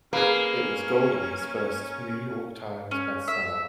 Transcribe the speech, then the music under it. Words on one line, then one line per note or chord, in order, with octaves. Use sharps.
It was Golden's first New York Times bestseller.
A#3 C#4 G#4 B4
C#4
E5